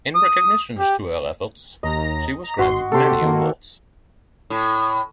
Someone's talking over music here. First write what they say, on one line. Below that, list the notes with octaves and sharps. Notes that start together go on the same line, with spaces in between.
In recognition to her efforts, she was granted many awards.
D#6
G4
D#2 D#5 A#5 A#6
A#5
G#1 F#4 C6
C3 G4 A4 C6
D#3 A#3
A2